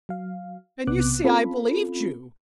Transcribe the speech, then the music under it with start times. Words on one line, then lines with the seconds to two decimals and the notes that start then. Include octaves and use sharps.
And you see I believed you.
0.09 F#3 F5
0.87 B1 C3 B3 D6 F#6
1.24 C4 C#4 F4 A4 B5